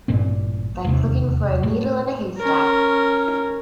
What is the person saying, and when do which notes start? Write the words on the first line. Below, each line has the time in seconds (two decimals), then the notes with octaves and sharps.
Like looking for a needle in a haystack.
0.08 A1 G2 A#2 C4
0.84 E1 D#2 C3
1.63 A2
2.38 C#4 A#4